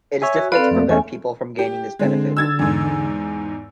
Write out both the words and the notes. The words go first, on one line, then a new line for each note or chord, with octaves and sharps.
It is difficult to prevent people from gaining this benefit.
C#5 E5 G#5
F#4
C4 A4 B4 D5 F5
F2 A3 A#3
E2 A3 C#4 G#5
G4
D3 G#3 C4
E6 G#6 A6
E2 G#2